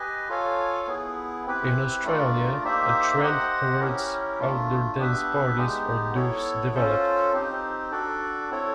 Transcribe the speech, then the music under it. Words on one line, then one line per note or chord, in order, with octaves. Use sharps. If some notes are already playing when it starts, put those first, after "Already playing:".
In Australia, a trend towards outdoor dance parties or doofs developed.
Already playing: G4 B4 D#5 G#5
F4 A4 C#5 F5 G#5
B3 E4 G#4
C4 E4 G4 B4
A3 D4 F4 A#4 D5
A#3 D#4 G4 C5 E5
G4 C5 D#5 F#5
C#4 E4 G4 A#4
A3 D4 F4
B3 D4 G4 B4 E5
G#3 B3 D#4 G4
B3 E4 A4 C#5
C#4 F4 A4 C5
C4 D#4 G4
D4 F#4 A4 D5
C4 E4 A4 C#5